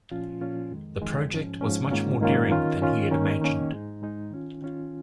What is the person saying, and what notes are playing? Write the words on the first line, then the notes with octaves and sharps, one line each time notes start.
The project was much more daring than he had imagined.
A#2 F3 C#4 F4
A#2 F3 C#4 F4
F2 D#3 G#3
F2 D#3 G#3
G#2 F3 C#4
G#2 F3 C#4
G#2 D#3 A#3 C#4 F4
G#2 D#3 A#3 C#4 F4
D#3 C#4 F4
D#3 C#4 F4
D#3 A#3 C#4
D#3 A#3 C#4
G#2 G#3 D#4
G#2 G#3 D#4
D#3 C#4 F4
D#3 C#4 F4